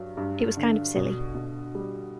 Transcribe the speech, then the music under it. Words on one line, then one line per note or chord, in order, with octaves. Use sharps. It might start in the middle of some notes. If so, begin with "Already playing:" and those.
It was kind of silly.
Already playing: G2 F#3
G2
D3
B2
B2
G3